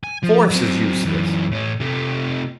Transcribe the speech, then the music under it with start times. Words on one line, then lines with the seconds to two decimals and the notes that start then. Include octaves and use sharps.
Force is useless!
0.04 G#5
0.23 F3
0.51 F#3 C4
1.05 F#2 E3
1.52 A2 C#4
1.80 C3 A3